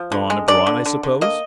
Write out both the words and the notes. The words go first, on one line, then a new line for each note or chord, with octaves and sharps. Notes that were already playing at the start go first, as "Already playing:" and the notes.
"Gone abroad, I suppose?"
Already playing: F3
D3
G#3
D3 D5
D3
D3
D3
A#3 D#5